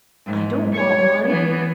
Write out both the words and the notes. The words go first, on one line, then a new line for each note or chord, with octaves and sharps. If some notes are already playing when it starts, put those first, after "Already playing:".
"I don't want one."
G#2
C#5
E3 B3